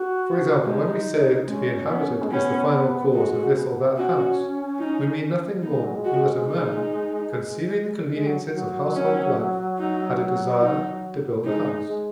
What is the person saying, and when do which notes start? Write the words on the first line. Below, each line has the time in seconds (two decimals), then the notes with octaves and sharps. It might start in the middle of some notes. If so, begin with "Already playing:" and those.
For example, when we say that to be inhabited is the final cause of this or that house, we mean nothing more than that a man, conceiving the conveniences of household life, had a desire to build a house.
Already playing: F#4
0.65 G#3 D#4
1.48 G#3 C#4
1.88 B3
2.22 G#3
2.30 B3 C#4
3.14 G#3 F#4
3.56 B3
3.97 C#4 F#4
4.79 D#4
5.63 B3 D#4
5.73 G#3
5.84 F#3
5.94 G#3
6.05 F#4
6.46 D#4
8.13 G#3
8.26 F#3
8.53 F#3
8.95 C#4
9.78 D#4
10.61 D#4
11.43 G#3 D#4
11.86 G#3